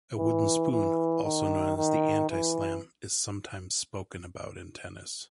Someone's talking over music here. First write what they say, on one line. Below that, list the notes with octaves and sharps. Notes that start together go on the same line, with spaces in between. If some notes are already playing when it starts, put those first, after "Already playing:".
A wooden spoon, also known as the "anti-slam", is sometimes spoken about in tennis.
E3
E3
D#3
D#3
E3